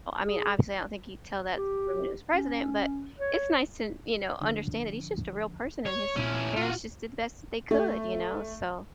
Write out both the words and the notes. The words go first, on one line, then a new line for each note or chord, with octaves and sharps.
I mean, obviously I don't think he'd tell that story when he was president, but it's nice to, you know, understand that he's just a real person and his parents just did the best that they could, you know? So
G#4
G4
C#4
C#5
D3 F3
C#5
A#2 C4 C#4 E4
F4 F#4
A3